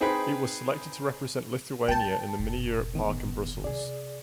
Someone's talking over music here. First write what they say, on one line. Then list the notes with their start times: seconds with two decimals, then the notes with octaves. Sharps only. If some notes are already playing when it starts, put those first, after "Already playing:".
It was selected to represent Lithuania in the Mini-Europe Park in Brussels.
0.01 C4 D#4 G#4 B4 G5 B5
1.88 D3 G#3 G5 A5
2.39 F1 A#1
2.94 A2 D#3 B3
3.64 C3 G#4 D5